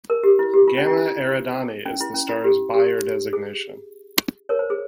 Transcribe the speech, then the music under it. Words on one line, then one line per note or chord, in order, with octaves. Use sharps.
"Gamma Eridani" is the star's Bayer designation.
A#4
G4
E4
G4
F4
C#4
E4
E4
C#4
E4
C#4
E4
G4
G4
G#4
A#4 C#5
C5
G#4